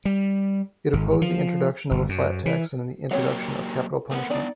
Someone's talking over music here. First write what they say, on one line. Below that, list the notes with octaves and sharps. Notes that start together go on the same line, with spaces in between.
It opposed the introduction of a flat tax and the introduction of capital punishment.
G3
G#1
F3
G1
F#2
E3
F#3 A#3 C4 G4 C#5 F#5
A3 B3 A#4 F#5
B3 D4 D#4 D5